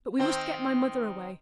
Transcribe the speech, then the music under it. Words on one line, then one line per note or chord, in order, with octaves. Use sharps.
But we must get my mother away.
D#3 C4